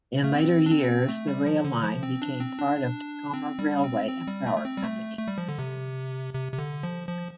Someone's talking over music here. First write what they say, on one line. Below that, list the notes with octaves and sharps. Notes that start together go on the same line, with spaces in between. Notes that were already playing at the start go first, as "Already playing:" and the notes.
In later years, the rail line became part of Tacoma Railway and Power Company.
A3
C4
D4
C4
A3
G3
F3
D3
F3
C4
D4
C4
D4
C4
G3
C4
C4
G3
A3
A3
C4
G3
A3
A3
G3
F3
D3
C3
C3
C3
D3
F3
F3